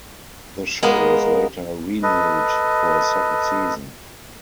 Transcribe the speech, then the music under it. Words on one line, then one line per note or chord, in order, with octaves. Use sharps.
The show was later renewed for a second season.
G#3 A#3 B3 A#4
A4 B4 D#5